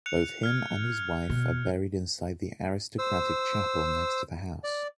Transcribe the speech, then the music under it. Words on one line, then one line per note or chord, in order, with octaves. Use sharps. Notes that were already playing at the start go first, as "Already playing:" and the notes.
Both him and his wife are buried inside the aristocratic chapel next to the house.
F#6 C#7 F7
F6 G#6
B2
C5 E6
D5